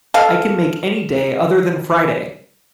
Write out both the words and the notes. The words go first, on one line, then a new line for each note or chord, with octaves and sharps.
I can make any day other than Friday.
A4 F5